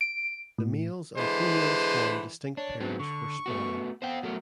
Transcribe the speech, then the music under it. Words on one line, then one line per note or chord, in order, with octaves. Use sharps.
The males and females form distinct pairs for spawning.
D7
A2
D3 E3 G#3 B4 C5
D4 C#5
F#3 B3 C4 D4
D3 C#6
A3 B3 F#4
B3 C5 F5 G5
F#3 A3 A#4